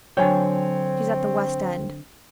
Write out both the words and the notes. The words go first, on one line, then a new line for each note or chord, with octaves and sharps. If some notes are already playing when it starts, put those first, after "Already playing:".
She's at the West End.
D3 F#3 C4 C#5 G5 G#5